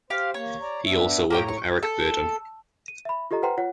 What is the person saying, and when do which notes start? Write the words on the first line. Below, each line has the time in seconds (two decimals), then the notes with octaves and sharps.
He also worked with Eric Burdon.
0.10 G4 C5 F5
0.34 A#3 C#5
0.61 D5 A#5
0.86 B3 D4 E5
1.30 A2 A#3 G4 C#5 G5 A#5
1.48 C#6
1.83 A4
2.88 D#7
3.05 E5 B5
3.31 F4 G4 A4 D#5 A#5
3.42 B4 C5 F#5 G5 A#5 C6
3.58 F4 C#5 F#5